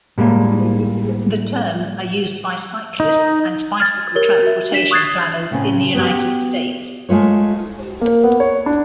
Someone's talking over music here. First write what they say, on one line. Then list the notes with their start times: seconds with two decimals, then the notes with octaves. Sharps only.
The terms are used by cyclists and bicycle transportation planners in the United States.
0.18 A2 G3 G#3 A#3
3.00 D#4
3.80 F6 G#6 A6
4.15 G4 A#4 C#5 A6 G7
4.42 F#4 E5
4.71 D4 G4 B6 E7
4.91 C#6 D#6 F#6 G#6 A6 C7
5.51 A2 C#3 C4
5.95 B3 F#4 G4
7.09 G#3 A3 F4 C#5
8.01 A#3
8.24 B3
8.40 C#5
8.66 D4